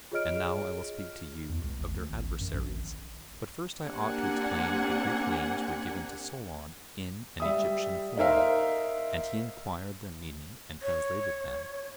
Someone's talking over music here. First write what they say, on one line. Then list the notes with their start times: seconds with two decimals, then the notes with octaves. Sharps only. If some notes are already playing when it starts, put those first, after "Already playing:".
And now I will speak to you of their adversaries, but first I ought to explain that the Greek names were given to Solon in an Egyptian form, and he enquired their meaning and translated them.
0.12 F4 G#4 C#5 D#5 F6 D7
1.49 E2
1.64 C#2
1.79 G#1
1.95 D2
2.10 G#1
2.28 A1
2.40 F#2
2.54 A#1
2.68 G#1
3.83 A#3 C4 D4 G4 F#5 G#5
7.40 G3 E5 D#6
8.18 D#4 A#4 C5 E5 F5
10.82 C#5